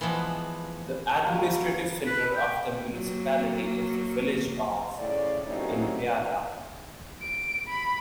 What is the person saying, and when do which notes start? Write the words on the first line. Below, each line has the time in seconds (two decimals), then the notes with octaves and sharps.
The administrative centre of the municipality is the village of Innbygda.
0.01 E3 F3 G#3 B3
1.24 F#3 G3 A#3
2.06 B4
2.35 G5
2.91 F#3 A#3
4.98 A2 C#3 D5
5.46 A2 C3 F#3 A#3 C#4 D#4
7.22 D7
7.68 B5